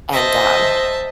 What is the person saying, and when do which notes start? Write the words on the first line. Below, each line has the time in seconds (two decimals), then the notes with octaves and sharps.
and, um,
0.12 C5 D#5 E5 A5